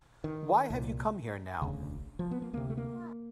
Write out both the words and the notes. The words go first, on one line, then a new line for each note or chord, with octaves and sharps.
Why have you come here now?
D#3
C2 A#2
E1 D2 C#3
F3
B3
A#3
D2 C3 A#3
A3
A#3